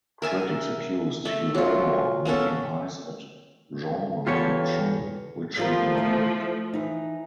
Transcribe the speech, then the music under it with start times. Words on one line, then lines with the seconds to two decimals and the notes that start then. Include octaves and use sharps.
Critics accused Hirano of "making eyes at genre fiction" which he denied.
0.22 A#4 E5 G#5
1.25 A3 E5
1.55 F#3 F4
2.25 A#3 B3 C#4 A4
4.27 E2 F4 G4 A4 C#5
5.57 F3 G3 A3 F4 A#4
5.98 E4 E5
6.74 E3 D#4